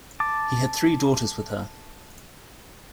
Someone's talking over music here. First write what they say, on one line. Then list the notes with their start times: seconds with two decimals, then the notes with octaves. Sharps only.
He had three daughters with her.
0.20 A5 D6